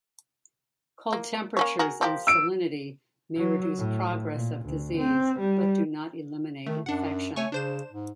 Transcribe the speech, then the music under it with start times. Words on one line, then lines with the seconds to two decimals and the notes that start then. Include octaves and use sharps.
Cold temperatures and salinity may reduce progress of disease, but do not eliminate infection.
1.13 A#3
1.57 A#3 C#4 C#5
1.79 F#4 G#4 A#4
2.01 F3 G4 A#4
2.27 E6 D7
3.37 F#3
3.78 A2
4.34 A#2
4.65 D2
4.97 C4
5.39 G3
6.67 D#3 A3
6.86 F#2 D4 F#5
7.36 A3 C#5 G#5 C#6
7.52 C#3 D4 C5 E7
7.92 G#2